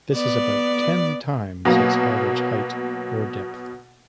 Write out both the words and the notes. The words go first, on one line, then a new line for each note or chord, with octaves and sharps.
This is about ten times its average height or depth.
B3 D5
B2 F#3 A#3